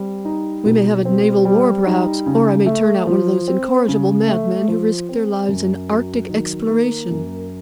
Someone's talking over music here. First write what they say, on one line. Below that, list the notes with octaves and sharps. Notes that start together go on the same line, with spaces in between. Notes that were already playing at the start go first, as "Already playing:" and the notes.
We may have a naval war, perhaps, or I may turn out one of those incorrigible madmen who risk their lives in Arctic exploration.
Already playing: G3 C4
D#4
B2
C4
G3
D#4
C#3
A3
F3
C4
C#3
A3
F3
C4
F#2
F#3
D#3
A#3
F#2